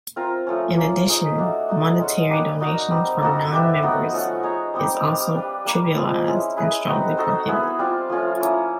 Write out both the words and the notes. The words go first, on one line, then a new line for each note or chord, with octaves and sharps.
In addition, monetary donations from non-members is also trivialized and strongly prohibited.
C4 F4 A#4
F3 A3 C#4
A#3 C#4 F4
D#4 G#4 C#5
A3 D4 F#4
D#4 F#4 A4
G#3 C#4 F#4
A#3 D4 G4 B4
D#4 F#4 A#4 D#5
G3 C4 D#4
A#3 D#4 F#4 A4
D4 G4 B4 E5
B3 D#4 F#4
F3 A3 C#4 F#4
D#4 G#4 C#5
G3 C4 D#4 G4
D4 G4 C5 F5
D4 G4 B4
G3 A#3 D4
F3 G#3 C4 F4
G#3 C#4 E4
E4 G#4 B4
C4 D#4 F#4 B4
D#4 F#4 A4 C5
B3 E4 G#4 B4
G3 C4 F4
F3 A3 C#4 F4
F3 A#3 C#4 E4